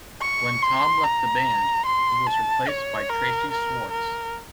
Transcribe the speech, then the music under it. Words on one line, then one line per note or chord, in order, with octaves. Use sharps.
When Tom left the band, he was replaced by Tracy Schwarz.
C#6
C6
A#5
C6
A5
C#5
A#4
A#4
A#4